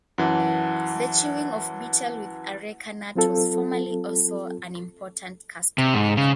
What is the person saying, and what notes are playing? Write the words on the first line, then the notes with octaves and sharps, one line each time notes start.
The chewing of betel with areca nut was formerly also an important custom.
F#2 E3 F#5 A5
F#3 C4 F4 A4
C3
G#2
C#3